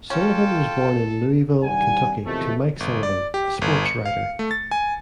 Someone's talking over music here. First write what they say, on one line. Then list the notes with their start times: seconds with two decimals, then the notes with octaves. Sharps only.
Sullivan was born in Louisville, Kentucky to Mike Sullivan, a sportswriter.
0.10 C#4 F4 A4 G5
1.63 D#3 G3 D4 F#5 G#5
2.25 E2 C3 D#3 F3 A3
2.80 G1
3.03 D5
3.34 G4
3.62 G1
3.86 C#7
4.05 F5
4.39 A3
4.51 A6
4.71 G#5